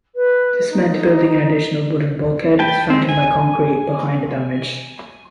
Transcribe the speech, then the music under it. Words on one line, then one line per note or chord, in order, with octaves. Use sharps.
This meant building an additional wooden bulkhead, strengthened by concrete, behind the damage.
B4
D#4
B4 G5 A5
G#3 C4
G#5